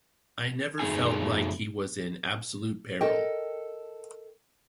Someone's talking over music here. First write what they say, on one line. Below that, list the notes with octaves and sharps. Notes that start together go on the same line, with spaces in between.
I never felt like he was in absolute peril.
F#2 A3 C4 D#4 G#4 G#5
A4 A#4 D#5 G5